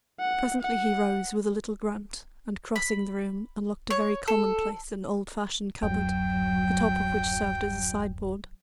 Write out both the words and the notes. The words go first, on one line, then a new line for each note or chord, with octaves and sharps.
Presently he rose with a little grunt, and, crossing the room, unlocked a very commonplace and old-fashioned cupboard, the top of which served as a sideboard.
F#5
F#5
B5
C#5
A4
D1 F#2 F#3 G5